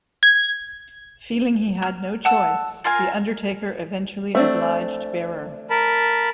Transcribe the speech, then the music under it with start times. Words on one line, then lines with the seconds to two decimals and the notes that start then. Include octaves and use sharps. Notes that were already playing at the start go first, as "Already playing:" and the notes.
Feeling he had no choice, The Undertaker eventually obliged Bearer.
0.23 G#6
1.82 F6
2.25 F#5 A5 E6
2.84 F4 A#4 F5 G#5
4.35 A3 C4 D4
5.70 A#4 A5 B5